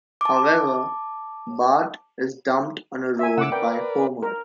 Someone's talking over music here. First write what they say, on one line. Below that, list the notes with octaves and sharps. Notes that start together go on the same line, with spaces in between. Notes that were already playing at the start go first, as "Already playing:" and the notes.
However, Bart is dumped on a road by Homer.
A5 D6
E5 G#5
C#3 F#5 D6 E6
A#4 B4 D5 G5
A#4